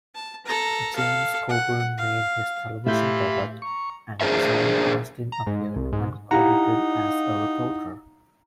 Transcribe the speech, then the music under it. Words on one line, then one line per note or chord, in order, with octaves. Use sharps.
James Coburn made his television debut, and John Astin appeared uncredited as a reporter.
A5
A4 A#5
A4 F5
F#5
F5
A2 E3 F4 G4 E5 B5 G6
A#5 C#6
D4 G#4 A#4 C5 C#5 E5
A#5
G#2
C2
G#2
D#4 E4 G4 F5 F#5 A#5